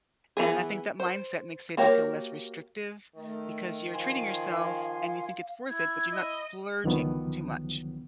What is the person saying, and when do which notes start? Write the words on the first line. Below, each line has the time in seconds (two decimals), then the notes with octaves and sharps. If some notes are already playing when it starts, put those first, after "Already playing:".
and I think that mindset makes saving feel less restrictive because you're treating yourself and you think it's worth it, but you're not splurging too much.
0.37 E3 G#3 B3 G#4
1.00 C5
1.77 A#3 F#4 G4 A#4 C#5
3.16 D#3 A3
3.94 F3 F5 G#5 C6
5.70 E4 G#6
6.12 D#5
6.84 C#2 D3 D#3 F3 F#3 B3